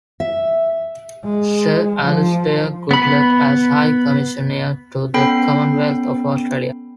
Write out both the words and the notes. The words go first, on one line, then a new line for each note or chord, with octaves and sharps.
Sir Alastair Goodlad, as High Commissioner to the Commonwealth of Australia.
E5
G#3
F3
B3 B5
B3 C#4 A4 G5 B5 C7